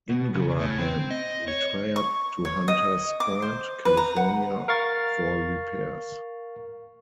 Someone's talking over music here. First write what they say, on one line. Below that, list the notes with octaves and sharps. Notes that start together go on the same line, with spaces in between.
"Ingraham" retired to Hunter's Point, California, for repairs.
B2
C#3
A2
C4
D#5
C#5
C#6
C#5
D#5
D6
C5
B4
A#5
F#5
A#4 F5 C#6 A6